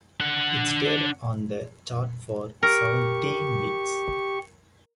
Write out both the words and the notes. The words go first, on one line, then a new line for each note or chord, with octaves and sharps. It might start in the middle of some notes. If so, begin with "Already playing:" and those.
It stayed on the chart for seventeen weeks.
D4 F#5
G4 A#4 C#6